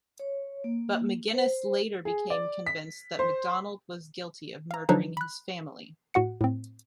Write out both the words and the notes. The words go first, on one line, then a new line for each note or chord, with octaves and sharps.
But McGinniss later became convinced that MacDonald was guilty of murdering his family.
C#5
A#3
C5
G#4
D5
B6
C5
F5 A#5
D3 F3 F#3 D4 D#4
B5 F#6
A2 F#4 F#5 C#7
A2 C4